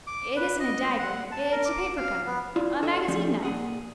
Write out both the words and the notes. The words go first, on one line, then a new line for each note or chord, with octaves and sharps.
"It isn't a dagger--it's a paper-cutter--a magazine knife."
D6
B4
D#5
F#5
A5
A#4
D6
F5
B3
E4 F4 D5
G#4 A4 C#5 D#5 E5
F3 G3 A3 C#4 D#4
A#2 G#4 F#5